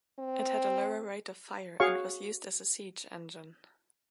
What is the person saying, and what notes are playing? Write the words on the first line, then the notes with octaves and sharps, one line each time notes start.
It had a lower rate of fire and was used as a siege engine.
C4
F#4 G#4 C#5 F5 C#6